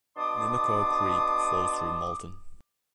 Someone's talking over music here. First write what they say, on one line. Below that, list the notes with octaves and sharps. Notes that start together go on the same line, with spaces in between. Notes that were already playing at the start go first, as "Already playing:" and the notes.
Mimico Creek flows through Malton.
B2 D4 A5 C6 D6 D#6